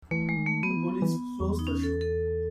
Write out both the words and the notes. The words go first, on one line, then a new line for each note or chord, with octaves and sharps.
The police closed the show.
E3 A3
G#3
D#3
A3
F#3 B3
E3
F#3
E3
E2
D#4
C#4
A4
A4